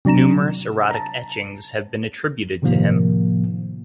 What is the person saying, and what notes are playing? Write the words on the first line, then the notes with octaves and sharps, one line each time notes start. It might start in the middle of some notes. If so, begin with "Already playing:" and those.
Numerous erotic etchings have been attributed to him.
C3 F#3 D4 A#5 E7
A5 A#5
A2 C3 D#3 F3 A#3